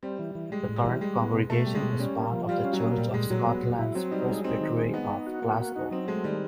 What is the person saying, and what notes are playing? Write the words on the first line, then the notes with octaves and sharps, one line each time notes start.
The current congregation is part of the Church of Scotland's Presbytery of Glasgow.
G3 C4
E3
E3
G3 G#3
A2
G3
E3
G3 G#3
B3
B2
B2 A3
G3
G#3
B2
G3 C#4
A#3
F3
G3 F4
C#4
F#3
A#3
A#2 G3
A#2 G#3
A#2 F#3
B3
A#2
E4
F#3 C4
G3 D#4
F#3 G#3
C4 D#4
D#3
G#3
B3 D#4
D#4
F#4
A#3
F#4
D#4
F#3 C4
G#3 A3
D#3 G3